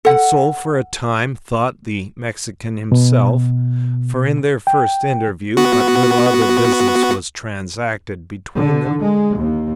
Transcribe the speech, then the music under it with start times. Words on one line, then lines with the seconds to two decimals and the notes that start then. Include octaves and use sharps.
And so for a time thought the Mexican himself: for in their first interview, but little other business was transacted between them.
0.05 A4 F#5
2.92 B2
4.67 G5
5.57 B3 F#4
8.56 D3
9.00 G#3
9.37 D#2